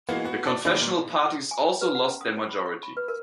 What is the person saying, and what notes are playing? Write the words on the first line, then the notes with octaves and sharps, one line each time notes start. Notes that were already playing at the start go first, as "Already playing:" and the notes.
The confessional parties also lost their majority.
E3 G#3 A#3 B3 F4 F#4
B3 F#4
D5 A5
D#3 A#3 D#4 G#4 B4 D5
A#2
G#5
C#5
B4
F#5
C#4
D#6
C#5
B5
C#6
B5
B4
A#4